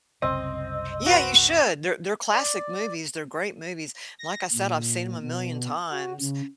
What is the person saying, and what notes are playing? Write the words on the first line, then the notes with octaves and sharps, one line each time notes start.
Yeah, you should, they're they're classic movies, they're great movies, like I said, I've seen 'em a million times,
F#1 C2 C#3 C4 D#5
F#4 B4
D5
A#6
A#2
B2
F#4
C#3